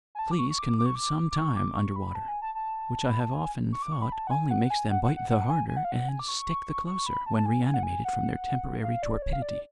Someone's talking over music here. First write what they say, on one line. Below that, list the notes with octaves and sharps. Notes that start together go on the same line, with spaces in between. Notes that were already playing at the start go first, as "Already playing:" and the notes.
Fleas can live some time under water; which I have often thought only makes them bite the harder and stick the closer, when reanimated from their temporary torpidity.
G#5
A5
D6
C#6
C#6
D6
D6
C#6
D6
D6
C#6
D6
C#6
B5
A5
G#5
A5
A5
B5
A5
G#5
C#6
D6
C#6
B5
A5
F#5
G#5
F#5
G#5
F#5
F#5
F#5
F#5
G#5
G#5
F#5
F5
F#5
G#5
D6
C#6
C#6
B5
A5
A5
G#5
G#5
F#5
G#5
F#5
F5
D5
C#5
F5
D5